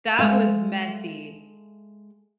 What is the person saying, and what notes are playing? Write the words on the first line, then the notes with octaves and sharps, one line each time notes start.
That was messy.
G#3 A4 E5 F5